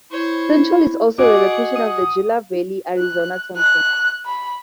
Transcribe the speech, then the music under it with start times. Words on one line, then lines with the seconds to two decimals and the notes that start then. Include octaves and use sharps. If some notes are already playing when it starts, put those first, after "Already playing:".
Central is also the location of the Gila Valley Arizona Temple.
0.11 E4 C5 C#5
1.18 F#4 G#4 D#5 F#5 D6
1.75 D#6
2.98 F#6
3.57 F#6
4.26 B5